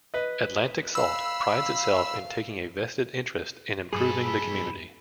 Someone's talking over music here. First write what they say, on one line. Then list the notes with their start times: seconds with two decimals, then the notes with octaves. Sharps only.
Atlantic Salt prides itself in taking a vested interest in improving the community.
0.14 B4 D#5
0.95 F5 B5 E6
3.93 B1 G2 G#3 G#4 A4 B5